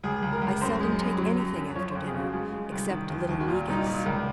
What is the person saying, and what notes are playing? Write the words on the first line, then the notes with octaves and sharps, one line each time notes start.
"I seldom take anything after dinner, except a little negus."
C#2 G#4
C#2
A#4
C#2
F#2 C5
G#3
F#2
F#3
F#2
F#2
F3 C#5
C5
F2
G#4
C#3 F#4
G#3 F4
G#3
C2
D#3
D#2
D#2
F#4
A#2 F4
C2 D#4
F4
A#2
C#2 A#4